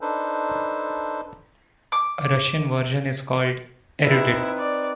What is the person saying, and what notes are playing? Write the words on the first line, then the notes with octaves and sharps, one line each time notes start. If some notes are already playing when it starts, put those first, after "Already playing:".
A Russian version is called "Erudit".
D4 D#4 A4 B4 C5
D6
C4 D#4 E4 B4
D5